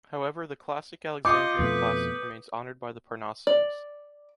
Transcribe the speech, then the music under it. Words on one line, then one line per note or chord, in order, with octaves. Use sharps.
However the classic Alexandrian classic remains honored by the Parnassians.
F4 D#5 D6 D#6 G6 C#7
F2 B2 A3 B4
D5